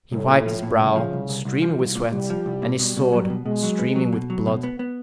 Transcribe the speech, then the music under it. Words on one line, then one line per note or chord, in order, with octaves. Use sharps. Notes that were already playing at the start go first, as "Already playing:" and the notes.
He wiped his brow, streaming with sweat, and his sword, streaming with blood.
C2 A2
A#2
F3
A#2
C2 C#3
F3
C2
C2
C2
F3
C2
A#2
C2 G3
F3
C2
A#2
B2 G3
B2
F#3
B2
B2 G#3
F#3
B3
F#3
B2
F#3
B2
B3
B3